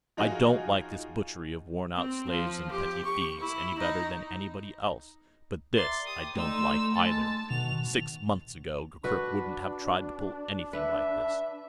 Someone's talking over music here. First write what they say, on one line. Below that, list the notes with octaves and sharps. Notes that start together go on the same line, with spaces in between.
I don't like this butchery of worn-out slaves and petty thieves any better than anybody else, but this I don't like either. Six months ago, Gurgurk wouldn't have tried to pull anything like this.
F3 D#4 F4 F#4 G#4
C4
F3
G4
C#6
E4
D#4
A#4 D5 E5 C6 A6
G4 D#6
A3 D#4 D5 C6 E6
G#3 A4 A5
B2 D#3 F#4 F7
D4 F#4 B4
B4 E5